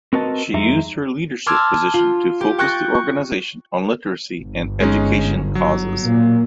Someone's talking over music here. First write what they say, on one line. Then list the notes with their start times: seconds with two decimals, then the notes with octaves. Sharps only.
She used her leadership position to focus the organization on literacy and education causes.
0.13 C4 F#4 A#4 B4 D#5 A5
0.54 F2 G#3 D#4 E5 A#5
1.46 A5 C6 D6 E6 F6 G#6
1.94 F4
2.41 G4
2.58 G5 C#6 F#6 G6 A6 A#6
2.94 C#6
4.39 G1
4.80 G#3 C#4 D#4
5.55 F#3
6.03 A#2 A#3